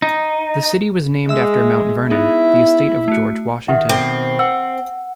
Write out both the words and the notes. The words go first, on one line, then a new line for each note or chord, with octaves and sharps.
The city was named after Mount Vernon, the estate of George Washington.
D#4
G#3 E5 E6
B3 D#4 E4 G#4
A3 F#4
D#3 G4 E5 F#5
B2 D#3 C4 A4
F#5 E6